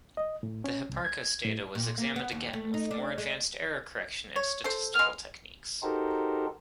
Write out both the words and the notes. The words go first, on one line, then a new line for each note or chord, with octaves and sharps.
The Hipparcos data was examined again with more advanced error correction and statistical techniques.
D#5
A2
C#4
C2
G#6
A2
A#2
A#3
B3
D#2
A3
D#4
D4
G#3
C#5
A4 C5
G#3 B3 F6
D#4 F#4 G4 A4 A#4 C5